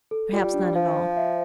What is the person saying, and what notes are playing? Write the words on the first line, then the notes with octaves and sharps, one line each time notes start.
Perhaps not at all.
A4
G3 F4
D4
F3 F5
C5
E5